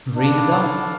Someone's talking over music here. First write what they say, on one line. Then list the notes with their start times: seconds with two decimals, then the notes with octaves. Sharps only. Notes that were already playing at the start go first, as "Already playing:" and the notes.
Ring a dong!
0.16 D4 E4 A4 D5 F5